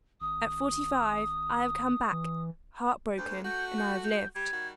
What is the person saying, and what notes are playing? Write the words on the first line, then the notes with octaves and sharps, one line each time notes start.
At forty-five, I have come back, heart-broken, and I have lived.
G#1 D#6
E3
D2 G6
A3 F#4 G6
G6
G6
G3 G#6
D#3 G3 F#4